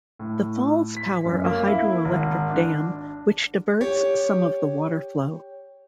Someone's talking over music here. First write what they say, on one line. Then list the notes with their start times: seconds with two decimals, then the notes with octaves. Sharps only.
The falls power a hydro-electric dam, which diverts some of the water flow.
0.19 A2
0.97 B6
1.25 F#2
1.45 A#3
1.68 E4
2.05 G#1
2.51 D4
3.81 G4 C#5